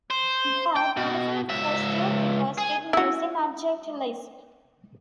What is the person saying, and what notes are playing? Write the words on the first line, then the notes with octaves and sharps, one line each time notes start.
There, the user interface toolkit was written using Object Lisp.
C5
G5
B2
C#2 E5
G#4
E4 F#4